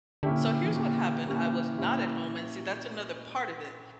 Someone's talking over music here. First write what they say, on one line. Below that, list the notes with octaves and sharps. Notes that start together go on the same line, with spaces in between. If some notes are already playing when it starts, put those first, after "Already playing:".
So, here's what happened, I was not at home, and see that's another part of it,
A#2 D3 A#3 C#4 E4 G4
E3
A#2 D3 A#3 C#4 E4 G4
A#2 A#3 C#4 E4 G4
A#2 A#3 C#4 E4 G4